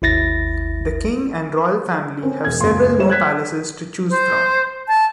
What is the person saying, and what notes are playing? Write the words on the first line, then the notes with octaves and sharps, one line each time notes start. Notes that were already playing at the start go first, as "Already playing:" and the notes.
The king and Royal Family have several more palaces to choose from.
G#1 D#2 E4 A6 A#6
C4 C#4 A#4
E1 G#6
C#2 F#2 A#3 C6
G4 C5 C#5 E7
F#6 G#6 B6
C5
A5